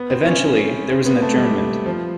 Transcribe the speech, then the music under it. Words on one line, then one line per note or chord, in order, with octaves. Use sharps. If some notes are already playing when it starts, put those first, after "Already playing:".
Eventually there was an adjournment.
Already playing: B3
C4
C#4
C4
B3
A3
G3
F3